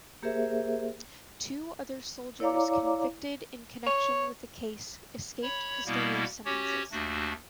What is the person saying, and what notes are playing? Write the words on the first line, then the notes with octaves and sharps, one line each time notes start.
Two other soldiers convicted in connection with the case escaped custodial sentences.
A#3 G4 G#4 A#4 C5 E5
E4 C#5 D5 F5 A#5 D6
C#5
C#5 B5
B2 G3 A#3 B3 E4
C#4 F#4 G4 C#5
D#2 A3 D4 F#4